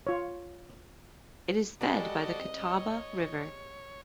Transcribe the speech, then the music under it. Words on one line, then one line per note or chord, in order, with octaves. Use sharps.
It is fed by the Catawba River.
F4 C#5
G3 G#3 F#4 A4 B4 D5 D#5
C#5